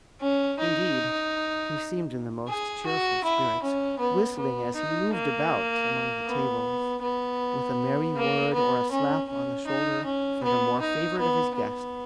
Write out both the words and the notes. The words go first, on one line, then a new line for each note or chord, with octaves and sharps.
Indeed, he seemed in the most cheerful spirits, whistling as he moved about among the tables, with a merry word or a slap on the shoulder for the more favoured of his guests.
C#4
D#4
G#4
F#4
E4
C#4
B3
B3
D#4
A#3
B3
B3
A#3
B3
C#4
C#4
D#4
C#4
B3
D#4
B3
B3